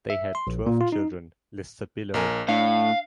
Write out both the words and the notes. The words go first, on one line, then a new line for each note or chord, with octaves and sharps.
They had twelve children, listed below.
E5
C6
A#1
A#2
F4
D#4
A#1 A#4 G#5
A2 D4 F5